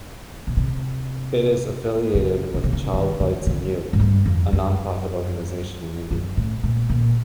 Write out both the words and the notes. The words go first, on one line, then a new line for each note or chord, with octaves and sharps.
It is affiliated with Child Rights and You, a non-profit organization in India.
B2
C3
C#3
C#3
C3
C#3
D#3
D3
C#3
G#2
G2
F2
F#2
F#2
A2
A#2
A#2